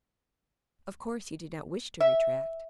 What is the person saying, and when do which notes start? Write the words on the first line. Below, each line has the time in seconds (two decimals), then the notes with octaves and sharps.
Of course he did not wish to retract.
2.01 E5